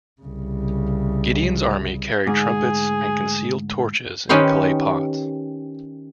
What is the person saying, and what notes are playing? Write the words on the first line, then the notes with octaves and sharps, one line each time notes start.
Gideon's army carried trumpets and concealed torches in clay pots.
C2 C#3
D2 G#2 G#4
D#3 C#4 D#4 G4 B4 C5